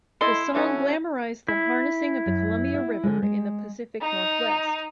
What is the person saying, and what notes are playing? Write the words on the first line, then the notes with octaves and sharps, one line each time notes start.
The song glamorized the harnessing of the Columbia River in the Pacific Northwest.
E4 A4 D#5 C6
E3 C#4 F#4 A4
E4
F#2
B3 E5
D3 G#3
G#3
D#4